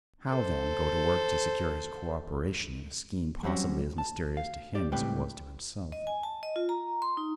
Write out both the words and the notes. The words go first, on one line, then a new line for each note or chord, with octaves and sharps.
How, then, go to work to secure his cooperation in a scheme possibly as mysterious to him as it was to himself?
A4 C5
F#3 G3 C4 C#4 F#4
A5
F5
G4 D5
C#2 A2 G3 C4 B4 G5
D#5
G#5
A5
D#5
F4
A#5
C6
D#4